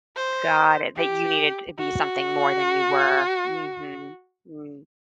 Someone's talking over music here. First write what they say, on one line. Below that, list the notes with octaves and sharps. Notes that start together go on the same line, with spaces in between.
Got it, that you needed to be something more than you were, mhm, mm.
C5
G4
F#4